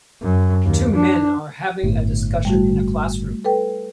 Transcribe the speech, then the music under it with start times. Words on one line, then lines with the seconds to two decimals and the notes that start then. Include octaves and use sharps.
Two men are having a discussion in a classroom.
0.22 F#2
0.65 D#2
0.94 D4
1.83 G1 A2
2.45 G3 A3 F#4
3.44 A4 B4 G5